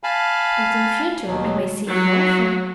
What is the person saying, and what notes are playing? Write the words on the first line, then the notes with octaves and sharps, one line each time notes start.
"That in future I may see you often."
F5 G#5 A5 B5
D#2 B2 F#3
F#3